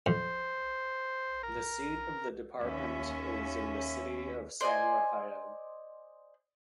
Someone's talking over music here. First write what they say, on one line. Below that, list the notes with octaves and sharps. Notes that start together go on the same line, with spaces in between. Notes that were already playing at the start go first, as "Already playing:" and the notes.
The seat of the department is in the city of San Rafael.
F2 C5
A#4
D#2 C#4 E5
C5 D5 D#5 G#5